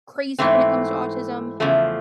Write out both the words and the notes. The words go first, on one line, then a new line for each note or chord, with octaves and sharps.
crazy when it comes to autism.
G#2 E3 A3 C4
E2 C#3 F3 A3